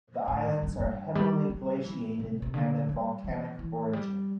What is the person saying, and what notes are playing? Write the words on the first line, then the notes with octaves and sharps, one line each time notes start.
The islands are heavily glaciated and of volcanic origin.
A2
G2
G2
G2
G3
G3
E3
C3
C3
D3
G3
E3
E3
G3